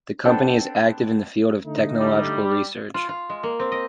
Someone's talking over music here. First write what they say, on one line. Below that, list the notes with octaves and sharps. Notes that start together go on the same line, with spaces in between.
The company is active in the field of technological research.
B3 C4 D4 A4 G5 A5
D3 A3 D#4
G3
F4
F4
G#3
A#3
C4
D#5